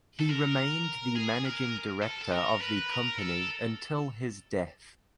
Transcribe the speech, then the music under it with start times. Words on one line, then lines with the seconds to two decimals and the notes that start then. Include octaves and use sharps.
He remained the managing director of the company until his death.
0.20 A4
0.29 A#4
1.15 G#4
1.45 A#4
2.03 A4
2.21 A4
2.31 A#4
2.61 B4
2.90 A#4
3.18 A4